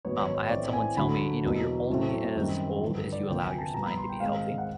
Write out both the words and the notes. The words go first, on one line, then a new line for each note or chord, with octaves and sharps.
um, I had someone tell me, you know, "You're only as old as you allow your spine to be healthy."
G#2 D#3 F#3 B3 C#5
C#5
C#5
A2 E3 A3 C4 D5
G#5
D2 D3 F#3 B5
E2 B2 F#3 A#3
A2 F#3 A3 C4
F#2 D#3 G3 C4
G2 D3 F3
D5
D2 C3 F3 A#3 G5
G#5
A5
A#2 G3 B3 A#5
B5
C6
G5
G#2 D#3 G#3 C4 F5
F#5